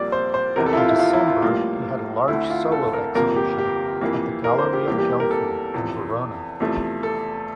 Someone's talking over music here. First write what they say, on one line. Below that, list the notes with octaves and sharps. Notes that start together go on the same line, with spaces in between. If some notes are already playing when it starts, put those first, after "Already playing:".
In December he had a large solo exhibition at the Galleria Ghelfi in Verona.
Already playing: A#1 A#2 G3 A#3 D5
C5
C5
F1 E2 C3 A#4
A4
E4
F4
E4
F4
E4
F4
A#1 A2 G3 A#3 F4
D2 D3 A3 E4
F4
A4
A#4
G1 F2 C3 F3 A#3 A#4
G4
G4
F2 E3 A#3
A#4
C5
G4
E2 E3 G3 A#3 G4
G4
A#4
A4
E2 C3 F3
E2 C3 F3 A3
A4